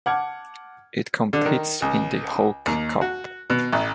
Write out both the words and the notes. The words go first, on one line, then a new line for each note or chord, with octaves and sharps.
It competes in the Hawke Cup.
F#5 A5 D6 F6 G#6
D3
D#3
C#2
D#2
F#4
B2
A1